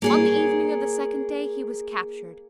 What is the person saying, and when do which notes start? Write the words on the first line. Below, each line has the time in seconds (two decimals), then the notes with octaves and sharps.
On the evening of the second day he was captured.
0.02 A#3 G#4 C#5